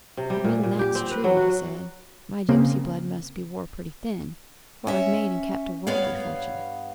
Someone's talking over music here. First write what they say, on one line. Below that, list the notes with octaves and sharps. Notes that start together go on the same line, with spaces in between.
'Admettin' that's true,' he said, 'my gipsy blood must be wore pretty thin, for I've made and kept a worldly fortune.'
C3
G3
A#2
A#2
G4
C4
B4
F#3
F#4
C#3 A#3 C4
C#4 E5
G2 B3 C#5 F5